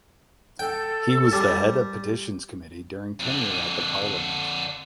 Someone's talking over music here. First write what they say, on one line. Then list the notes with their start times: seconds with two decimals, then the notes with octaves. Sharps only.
He was the head of the petitions committee during tenure at the Parliament.
0.59 A4 G5
1.32 G3 A5
3.20 F2 D3